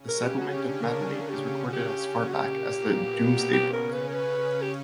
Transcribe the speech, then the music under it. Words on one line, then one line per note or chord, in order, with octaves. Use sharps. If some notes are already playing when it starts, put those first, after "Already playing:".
The settlement of Madeley is recorded as far back as the Domesday Book.
Already playing: C#3 C#4
A#4
G4
F#4
D3 D4 G4
A#4
C#3 C#4 G4
A#4
G4
F#4
G4
F#4
A#2 A#3 G4
B2 B3
C#3 C#4 G4
A#4
B4
A#4
B4
G4